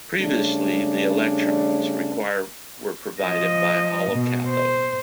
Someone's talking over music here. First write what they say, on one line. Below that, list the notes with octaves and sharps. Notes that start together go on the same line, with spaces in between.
Previously the electrons required were provided by a hollow cathode.
C#3 G3 A3 C#4 D4
F3 D#5
B2
C5